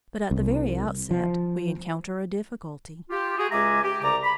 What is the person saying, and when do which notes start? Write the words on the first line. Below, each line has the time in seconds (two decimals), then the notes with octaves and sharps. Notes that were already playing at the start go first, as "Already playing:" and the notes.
But at the very outset we encounter a difficulty.
0.31 C2
1.11 F3
3.10 F4 G4
3.37 F#4 G#4
3.51 C#2 G#3 E5 G#5 A#5 D6
3.82 G4
4.01 C2 C#3 D5 A#5 D6
4.23 B5